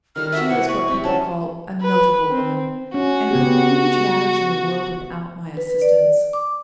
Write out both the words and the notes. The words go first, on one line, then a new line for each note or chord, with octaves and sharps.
She was what people call a notable woman, and could manage matters in the world without my assistance.
D#3 G3 A4 F6
F#4 D5 E5
C3 E4 E5 F#5
D5 C#6
C4 E5
D3 F#3 C#4 A5
B4
C4
C#4 F#4
C#3 B3 G4
B4
D5
D6